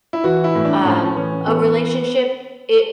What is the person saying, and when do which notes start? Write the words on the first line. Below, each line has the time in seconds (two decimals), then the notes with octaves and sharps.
um, a relationship, it
0.13 E4
0.24 E3 F#4
0.44 E4
0.55 A2
0.65 D4
0.85 A2 C#4
1.16 E3 C#4
1.47 E3 B3